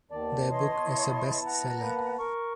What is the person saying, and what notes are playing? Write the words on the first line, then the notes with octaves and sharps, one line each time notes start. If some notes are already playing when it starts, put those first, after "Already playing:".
Their book is a best seller.
D#2 D#3 B3 D5 A5
E3 C#5 D#5 C6
E4
F#5 A#5
A#3 B4
A#4 C#6